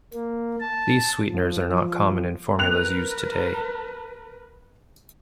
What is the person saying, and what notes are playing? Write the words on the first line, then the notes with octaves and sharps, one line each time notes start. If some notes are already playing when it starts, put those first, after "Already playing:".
These sweeteners are not common in formulas used today.
A#3
A5
F3
F3
A#4 B4 F#6 F7